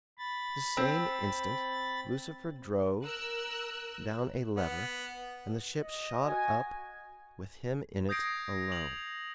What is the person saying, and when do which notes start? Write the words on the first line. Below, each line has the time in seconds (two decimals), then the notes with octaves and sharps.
At the same instant Lucifer drove down a lever and the ship shot up with him in it alone.
0.18 B5 A6
0.77 C4
3.04 A#4 E6 F#6
4.56 B3
5.80 D#5
6.25 F#4 G#5
8.09 D#6 G6 G#6 A#6 C7 D7
8.72 F7 F#7